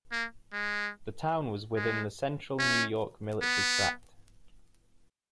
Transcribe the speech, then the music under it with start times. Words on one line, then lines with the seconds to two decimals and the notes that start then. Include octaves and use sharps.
The town was within the Central New York Military Tract.
0.12 A#3
0.53 G#3
1.76 G#3
2.59 C#4
3.42 B3